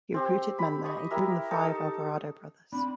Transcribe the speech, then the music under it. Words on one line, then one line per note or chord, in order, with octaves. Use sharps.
He recruited men there, including the five Alvarado brothers.
C4 G4 C5
B5
D#5 C#6
E4 G4 A#4 E5
D#4 A4 C#6
C4 D4 D5 B5